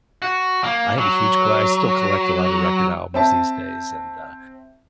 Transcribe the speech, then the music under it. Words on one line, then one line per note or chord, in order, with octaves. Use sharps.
I have a huge colle I still collect a lot of record albums these days and, uh,
F#4
A#3
F#3
C4 E5 A5